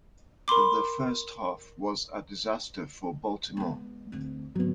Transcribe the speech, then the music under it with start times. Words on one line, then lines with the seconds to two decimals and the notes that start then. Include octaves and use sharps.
The first half was a disaster for Baltimore.
0.48 A#4 B5 C6 D6
3.57 G#3 B3
4.12 D2 C4
4.55 G#1 D2 F#3 B3